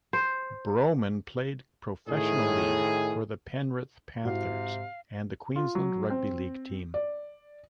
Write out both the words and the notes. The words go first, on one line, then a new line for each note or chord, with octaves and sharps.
Brohman played professional league for the Penrith Panthers and the Queensland rugby league team.
C5
A2 D#3 G#4
G#2 C3 E4 F#4 F5
F4
F#3
C4
D5